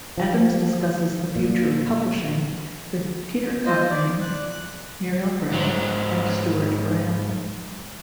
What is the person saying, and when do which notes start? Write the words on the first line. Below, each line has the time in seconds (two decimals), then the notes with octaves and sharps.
Adams discusses the future of publishing with Peter Cochrane, Muriel Gray and Stewart Brand.
0.17 F3
1.36 A#2
3.66 F4 C5 D#5
3.91 D5
4.22 F#6
5.52 G#2 F#3